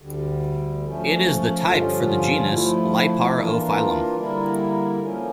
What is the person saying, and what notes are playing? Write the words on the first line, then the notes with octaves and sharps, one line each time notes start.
It is the type for the genus "Liparophyllum".
D2 D3 G3
F3 A3 C#4
G2 D3 F3 C#4 F4
F3 A3 E4
E3 A#3 D4 F4 A#4
D3 G3 A#3 E4 A#4
F3 A#3 C#4